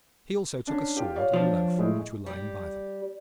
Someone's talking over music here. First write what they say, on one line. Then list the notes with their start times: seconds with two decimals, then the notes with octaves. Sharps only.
He also took a sword and a loaf, which were lying by them.
0.67 C#4 D4
0.97 F4 G4
1.15 C#5 D5 F5
1.33 F3 D4
1.78 A2 G#3
2.26 G3